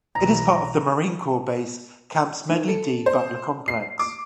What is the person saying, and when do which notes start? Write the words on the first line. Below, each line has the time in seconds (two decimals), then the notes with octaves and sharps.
It is part of the Marine Corps Base Camp Smedley D. Butler complex.
0.15 B1 E3 A#5
2.50 D#3
2.68 A4
3.06 C5
3.68 C7
3.99 D6